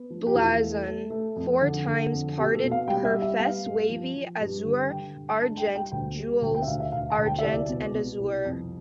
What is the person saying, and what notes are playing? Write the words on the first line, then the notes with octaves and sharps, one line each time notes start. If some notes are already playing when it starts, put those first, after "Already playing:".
Blazon: Four times parted per fess wavy, Azure, Argent, Gules, Argent and Azure.
Already playing: B3
F3
G4
E2 F4
A3
A3
A3
F2
D3
D3
F2
B2 G4
A4
B2
F5
G3 G5
E5
G3
E5
B3 F5
G2
F3
F3
G2
D3
D3 G5
G2
D4 A5
G5
G3
G5
D2 G5
G3
D2 G5
G5
E5
D2 F5
E5
D2 F5
A5
D2
G5
E5
C2 D5
B2
B2
C2
F2